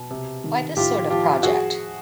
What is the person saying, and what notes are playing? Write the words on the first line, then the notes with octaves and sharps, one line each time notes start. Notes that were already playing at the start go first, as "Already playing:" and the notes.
Why this sort of project?
Already playing: B2
C3
D#3
A2 F4 G4
F3 F4 G4
F#4 G#4